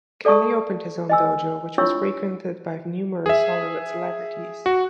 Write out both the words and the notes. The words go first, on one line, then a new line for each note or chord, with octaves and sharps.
Kelly opened his own dojo, which was frequented by numerous Hollywood celebrities.
A4 D5 A5 C#6 D#6
D#5 G#5 E6
D4 E4 F4 C#5 C#6 E6
G#4 E5
F#4